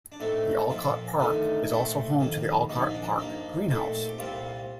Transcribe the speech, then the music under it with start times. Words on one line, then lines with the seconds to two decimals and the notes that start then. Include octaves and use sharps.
The Olcott Park is also home to the Olcott Park Greenhouse.
0.12 D4
0.20 A2 A3 C4 D#4
0.69 A#2 F3 C4 F4
1.19 D#2 D3 A3 D#4
1.70 A#2 A3 C4
2.19 F2 D#3 A#3
2.69 C2 A#2 F3 D#4
2.89 D#4
2.94 D4
3.18 G2 F3 A#3 D#4
3.69 A#2 A3 C4
4.07 G4
4.18 C2 A#2 G3 C4 F4